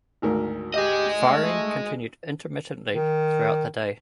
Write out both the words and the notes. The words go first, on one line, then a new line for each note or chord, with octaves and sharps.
Firing continued intermittently throughout the day.
G#1 D2 A#4
G4 G#4 D#5
A3
D#3